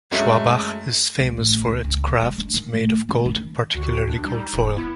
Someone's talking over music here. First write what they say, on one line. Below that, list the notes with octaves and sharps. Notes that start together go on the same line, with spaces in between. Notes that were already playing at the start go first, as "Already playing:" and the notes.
Schwabach is famous for its crafts made of gold, particularly gold foil.
F#2 F#3 G#3 A3
C2
A1
C#2
C#2
B2
G#3
D4
D#3
A2
F4
C#3
D#3
D2 F#4
D#2 D4
G3 D#4
E1
B3 E4